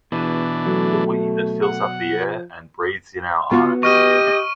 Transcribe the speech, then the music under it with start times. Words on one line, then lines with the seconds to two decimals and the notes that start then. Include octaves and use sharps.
The "we" that fills up the air and breathes in our eyes.
0.12 E2 B2 E3 D4
0.66 F#3 A3
1.62 F#5
2.11 F3
3.51 B3 F4 F#4
3.83 G4 D#5 C#6 F6 D#7